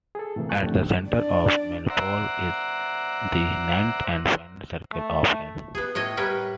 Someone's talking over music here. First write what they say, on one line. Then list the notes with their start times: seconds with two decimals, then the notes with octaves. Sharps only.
At the center of Malebolge is the ninth and final circle of hell.
0.15 G#4 A4
0.36 A2 C3 E3 A#3
0.49 G5 A5 C#6 F#6
0.62 A2 D3 F3 A3 C4 G4
1.09 D4 D5
1.90 C5 D5 E5 F#5 A#5
4.93 A3
5.75 B3 G#4
5.95 A2 C#5 D#5
6.17 A2 G3 A#4 B4 C#5